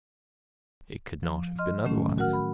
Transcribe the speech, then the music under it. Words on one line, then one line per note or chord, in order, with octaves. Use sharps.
It could not have been otherwise.
F3
D#5 C6 F6
A2 D#3 F#3 A3 C#4
F#4 A#4 F#5 F6
B5